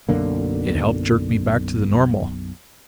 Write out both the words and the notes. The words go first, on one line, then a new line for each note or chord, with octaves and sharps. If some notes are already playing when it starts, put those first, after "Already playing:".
It helped jerk me back to the normal.
B1 F#2 D3 A#3